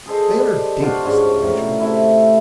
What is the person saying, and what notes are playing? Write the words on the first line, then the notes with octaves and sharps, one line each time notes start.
"They are dainty," said the Major.
G#4 A4 C5 D#5
G3
D4 F4 F#4 C5
G#2 C#4 D5
A2 A#4
C3 A3 E4